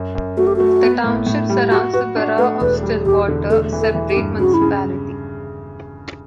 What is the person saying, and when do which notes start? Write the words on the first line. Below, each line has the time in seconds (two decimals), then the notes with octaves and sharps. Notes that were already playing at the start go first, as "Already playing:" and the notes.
The township surrounds the borough of Stillwater, a separate municipality.
Already playing: F#2
0.15 F#2
0.37 A3 F#4
0.47 G4
0.56 A3 F#4
0.82 B3
1.04 A2
1.27 A2
1.49 G3
1.71 F#4 G4
1.94 F#4 B4
2.16 D4
2.38 A3 B4
2.61 E1 B4
2.83 G3
3.06 E1 G4
3.28 D3
3.50 A3 A4
3.73 E3
3.80 A4
3.95 E3
4.10 G4
4.16 G2
4.39 C#3 F#4
4.54 E4
4.62 C#3